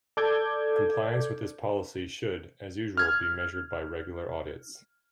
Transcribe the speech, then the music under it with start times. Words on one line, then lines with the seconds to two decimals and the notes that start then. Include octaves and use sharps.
Compliance with this policy should, as usual, be measured by regular audits.
0.17 A4 D5 D6 G6 G#6
2.97 F6 G#6